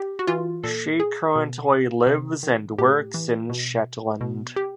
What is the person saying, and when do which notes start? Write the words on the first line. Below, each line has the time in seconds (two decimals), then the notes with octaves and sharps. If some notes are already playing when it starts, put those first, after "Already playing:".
She currently lives and works in Shetland.
Already playing: G4
0.19 F#4
0.27 E3 F4
0.63 A#2 A4
1.00 G#4
1.35 B2
2.07 C3
2.43 D#3
2.78 A2 G4
3.14 E3
3.49 B2
4.21 B2
4.56 G4